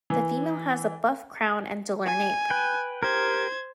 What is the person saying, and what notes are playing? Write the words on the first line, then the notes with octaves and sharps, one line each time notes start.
The female has a buff crown and duller nape.
E3
G#5
B4 G5
G4 A#4 C5 G#6